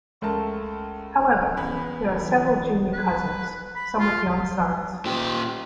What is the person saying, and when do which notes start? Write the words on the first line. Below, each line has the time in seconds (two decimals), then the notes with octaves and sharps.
However, there are several junior cousins, some with young sons.
0.22 C#2 A3 A#4 A5
1.57 E2 C#4 B4 B5
2.22 E3
2.93 B4
3.75 B5
3.99 F4
5.05 A#2 G4